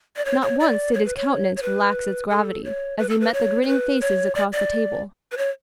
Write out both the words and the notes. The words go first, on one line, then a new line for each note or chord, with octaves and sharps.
Not once did his countenance relax its gravity, as he met the grinning faces across the table.
D5
C#5
C#5
D5
C#5
B4
C#5
C#5
B4
A4
C#5
B4
A4
B4
C#5
C#5
B4
C#5
D5
D5
B4
C#5